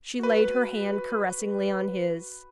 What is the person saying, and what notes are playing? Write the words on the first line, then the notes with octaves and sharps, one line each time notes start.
She laid her hand caressingly on his.
F#4 B4